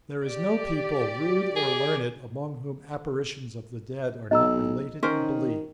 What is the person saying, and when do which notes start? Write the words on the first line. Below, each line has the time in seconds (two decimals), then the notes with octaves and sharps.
There is no people, rude or learned, among whom apparitions of the dead are not related and believed.
0.24 G4 D5
1.56 G#4
4.31 B1 D#5 A#5 E6
5.03 D#3 C#4 A#4 C5